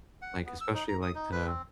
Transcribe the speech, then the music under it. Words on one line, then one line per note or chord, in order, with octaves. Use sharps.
Like, especially like the
F#5
B3
E6
D#4
A#5
D#6
D#4
B4
C4